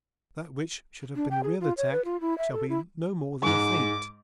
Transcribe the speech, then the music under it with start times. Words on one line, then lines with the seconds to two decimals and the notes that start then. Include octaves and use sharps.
That which should have been the real attack shall be no more than a feint.
1.16 D4
1.31 G5
1.43 G#4
1.60 F4
1.77 C#5
1.92 B4
2.05 F4
2.21 E4
2.38 E5
2.52 A4
2.69 E4
3.43 G#2 G#3 D6